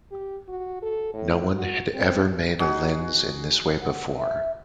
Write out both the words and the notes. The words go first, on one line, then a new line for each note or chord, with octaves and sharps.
No one had ever made a lens in this way before.
G4
F#4
A4
A2
F#4
C4
D#4 F#4 G#4 F#5
F#5
E5